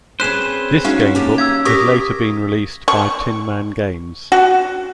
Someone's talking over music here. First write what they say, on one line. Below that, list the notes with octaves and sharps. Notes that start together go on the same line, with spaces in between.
This gamebook has later been released by Tin Man Games.
C4 C#4 G#4 B4 C5 F#6 E7
G#3 C#4 D#4 F#4 F5
A#3 G4 A5
F5 D6 E6 G#6
G4 A#4 C#6 D#6 A#6 B6
C#6
F#4